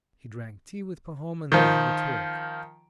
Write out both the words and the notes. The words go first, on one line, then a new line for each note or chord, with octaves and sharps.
He drank tea with Pahom, and they had a talk.
D#3 F3